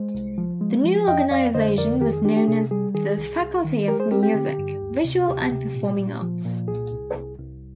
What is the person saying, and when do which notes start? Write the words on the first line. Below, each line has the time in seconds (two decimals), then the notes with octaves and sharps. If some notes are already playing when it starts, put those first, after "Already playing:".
The new organisation was known as the Faculty of Music, Visual and Performing Arts.
Already playing: G#3 C5
0.15 C2
0.38 F3
0.61 G#3
0.84 F3
1.08 F2 D#5 G5
1.31 F2 D5 F5
1.54 D3 C5 D#5
1.78 F2 A#4 D5
2.01 D#3 G4 A#4
2.13 G#4
2.25 D4 G4
2.36 G4
2.48 C3 G#4
2.71 G3 G#4
2.94 D#3 G#4
3.18 C2
3.41 C2
3.64 D#3
3.88 G#3 G4 A#4
4.00 G#4 C5
4.11 C4 G4 A#4
4.23 G4
4.34 D3
4.59 G2
4.81 D2
5.05 C3
5.28 D2 G4
5.51 C3
5.75 A#2
5.98 A#2
6.22 F3
6.45 A#2
6.68 C2 G#4
6.92 C2
7.15 C2
7.38 C2